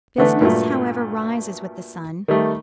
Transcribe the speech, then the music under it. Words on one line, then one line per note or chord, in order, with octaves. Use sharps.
Business, however, rises with the sun.
D3 E3 A3 B3 D4
G2 A#2 F#3 A3
D#3 G3 A3